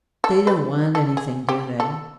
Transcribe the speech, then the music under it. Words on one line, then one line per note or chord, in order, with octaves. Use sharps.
"They don't want anything, do they?"
A4
B4
A4
G#4
G4
A4